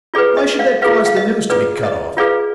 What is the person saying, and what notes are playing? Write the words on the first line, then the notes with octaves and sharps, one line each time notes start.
Why should that cause the news to be cut off?
F4 G#4 B4 D5
D#5
D5 F5
F4 G#4 B4 D5 F5
F5
D#5
F4 G#4 B4 D5
D#5
F4 G#4 B4 D5 F5